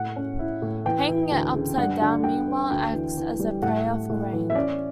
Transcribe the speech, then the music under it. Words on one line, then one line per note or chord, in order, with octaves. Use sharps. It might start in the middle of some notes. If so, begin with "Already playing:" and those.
Hanging it upside-down, meanwhile, acts as a prayer for rain.
Already playing: A2 F#5
C#4
E4
A2
E3 G5
E3
D2
C#3
G2 F#5
D3
D3 G5
B3
D2 G5
E3
E3
G3
A2 F#5
A3
A2
E3
E5
C#4 D5